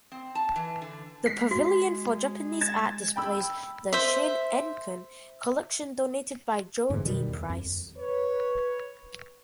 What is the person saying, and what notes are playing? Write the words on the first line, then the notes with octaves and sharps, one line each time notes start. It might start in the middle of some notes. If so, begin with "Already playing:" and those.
The Pavilion for Japanese Art displays the Shin'enkan collection donated by Joe D. Price.
C4
A5
E3
D3
G#3 B6 C7
F#4
G#6 A6 E7
G5 B5 E6
C5 E5
F2 G#2 D3 E3
B2 D#3 G3
E2
F2
B4 C#5